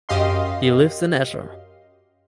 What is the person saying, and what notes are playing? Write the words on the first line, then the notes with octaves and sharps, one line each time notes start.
He lives in Esher.
F#2 G4 D#5 F5 C6